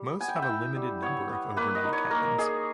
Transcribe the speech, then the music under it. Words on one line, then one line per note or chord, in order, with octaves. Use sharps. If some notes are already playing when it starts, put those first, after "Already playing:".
Most have a limited number of overnight cabins.
Already playing: G3
B3 G#5
G5
E5
G5
E4
G3
B3 C#5
B3
A#3 B4
D#5
D#4
C#5
A#3 A#4
D#4 G#4